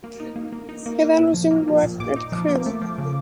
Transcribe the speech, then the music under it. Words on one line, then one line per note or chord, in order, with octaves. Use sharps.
He then resumed work at Crewe.
A#3
D#4
A#3
A#3
D#4
A#3
A#3
A#2
F3
A#3
F3
A#2
A#2 D6
D#4
F3
A#3
A3
F3
C#3